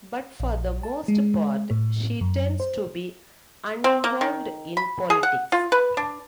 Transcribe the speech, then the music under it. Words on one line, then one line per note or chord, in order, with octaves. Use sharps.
But, for the most part, she tends to be uninvolved in politics.
A#1
A5
G#3
A2
F#2
C5
C4
A#3
D#3
B5
G#4
F#5
F4
B4
D4